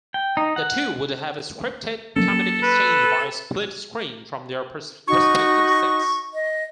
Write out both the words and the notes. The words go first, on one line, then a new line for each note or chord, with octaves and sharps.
The two would have a scripted comedic exchange via split-screen from their respective sets.
G5
D#4
F#5
F#3 A#3 C#4 A4
B4
D#4 F#4 C#6
D#5